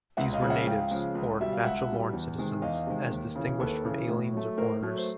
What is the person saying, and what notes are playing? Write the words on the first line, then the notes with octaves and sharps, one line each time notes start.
These were natives, or natural-born citizens, as distinguished from aliens or foreigners.
C#2 E5 F#5
D#5 F5
C#3 F3 G#3
E5 F#5
C#2 F5 G5
C#3 F3 G#3
C#2
B2 G3 E5
F5
C#2 E5 F#5
B2 G3
E2
C3 D#3 G#3
E2 D#5 F5
C3 D#3 G#3
D#2
C#3 E3
D#2 A4 B4
C#3 E3
A2
F#3 A3
A2 A#4 C5
F#3 A3
C5